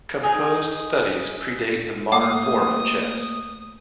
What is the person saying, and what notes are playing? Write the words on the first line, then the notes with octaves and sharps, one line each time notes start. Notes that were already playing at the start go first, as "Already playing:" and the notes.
Composed studies predate the modern form of chess.
D#4 G#4 G#5
A3 A#3 F#5 D6 D#6